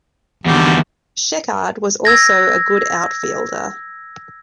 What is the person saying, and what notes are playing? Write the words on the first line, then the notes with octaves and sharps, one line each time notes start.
Sheckard was also a good outfielder.
E2 D3 D#3 G3 F#4
E6 G#6 A#6